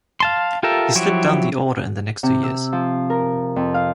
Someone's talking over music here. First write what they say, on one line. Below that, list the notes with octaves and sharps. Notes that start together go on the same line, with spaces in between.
He slipped down the order in the next two years.
F5 A5 C6
F4 G4 A4 A#4 E5
F3 F#3 E4 F#4 G4
C3
E6
F3
A#4
F2
F5